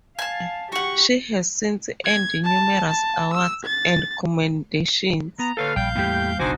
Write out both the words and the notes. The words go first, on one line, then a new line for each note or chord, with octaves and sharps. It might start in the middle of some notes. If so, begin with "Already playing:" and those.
She has since earned numerous awards and commendations.
F5 G#5 A5
F#4 G4 F#5 C#6
G#6
A5
A5
E6
A6
B3 A#5
D3 A#3 A4 B4 C#5 F5
A#1 G3 F5 G5 G6
E2 A2 G3 A#3 G4 G5
F#1 B1 D4 D#4 F#4 C5 G#5 D6